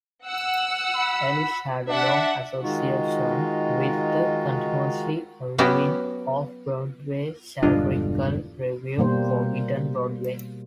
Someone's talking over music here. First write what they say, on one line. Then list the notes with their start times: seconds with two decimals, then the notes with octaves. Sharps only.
Ellis had a long association with the continuously evolving Off-Broadway satirical revue "Forbidden Broadway".
0.25 F#5 E6
0.95 B5
1.89 D4 D5 E5 F#5
2.63 D#3 G#3 D#4 F4 F#4
5.58 F#3 B3 C#4 F#4 G4
7.63 E1 G2 D3 D4 F4 D#5
8.98 B2 G3 A#3 C5